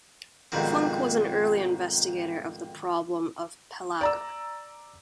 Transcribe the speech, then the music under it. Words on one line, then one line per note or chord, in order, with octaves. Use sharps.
Funk was an early investigator of the problem of pellagra.
F2 G#2 B2 D#3 G3 C4
D5 A#5 E6